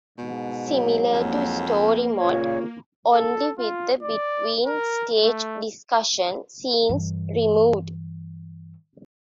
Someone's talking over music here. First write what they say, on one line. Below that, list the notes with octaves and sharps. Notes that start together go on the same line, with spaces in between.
Similar to Story Mode, only with the between-stage discussion scenes removed.
G#2 B2
F#3
F2 A#3
A#2 C#3 F4 C#5
A4
F4
D5
A#4
A3
G2 E3